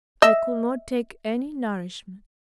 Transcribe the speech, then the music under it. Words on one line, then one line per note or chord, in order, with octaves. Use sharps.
I could not take any nourishment.
D#5 E5